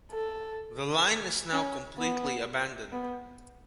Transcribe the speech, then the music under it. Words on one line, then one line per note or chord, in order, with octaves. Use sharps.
The line is now completely abandoned.
A4
C#4
B3
B3